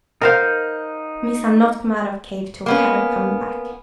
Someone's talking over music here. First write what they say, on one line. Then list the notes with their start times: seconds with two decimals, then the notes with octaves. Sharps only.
Missa not come out of cave till Kadok come back.
0.22 D#4 A#4 C5 F5 F#5 G6
2.66 A#3 B3 C#4